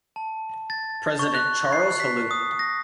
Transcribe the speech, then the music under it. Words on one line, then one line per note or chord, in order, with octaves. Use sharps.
President Charles Helou.
A5
A6
C#6
F#6
C7
B6
D#6
A#6